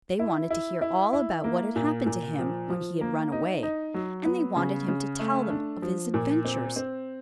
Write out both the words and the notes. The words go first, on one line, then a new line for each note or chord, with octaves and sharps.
They wanted to hear all about what had happened to him when he had run away, and they wanted him to tell them of his adventures.
E4
E4
E4
E4
A#3
A#2
A#2
F3
F3
A#3
D#4
D#4
F#3
B3
C#3
C#3
A3
D4
F3
A#2
C4
C4